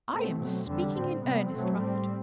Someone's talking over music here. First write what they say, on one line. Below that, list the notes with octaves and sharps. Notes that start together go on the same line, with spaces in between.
I am speaking in earnest, Rufford.
B2 A3 C4
B2 F#3 A3 C4
E2 D3 G3
A2 G3 C4
C3 G3 B3
B2 F#3 A3 C4
A2 G3 C4